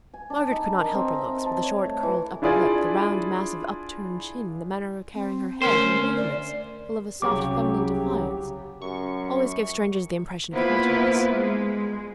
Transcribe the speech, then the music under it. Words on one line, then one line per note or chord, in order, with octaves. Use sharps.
Margaret could not help her looks; but the short curled upper lip, the round, massive up-turned chin, the manner of carrying her head, her movements, full of a soft feminine defiance, always gave strangers the impression of haughtiness.
G#5
D4
D#4
A#4
C4
E5
A5
C#5
A3
E3
D4 E4 F4 G#4 D5 G#5
C4
D2 C#4 A#4 C5
D5
C2 C#3 F#3 G4 D6
F#2 C#6
A#3 B3 E4 F4 B4 C5
G#3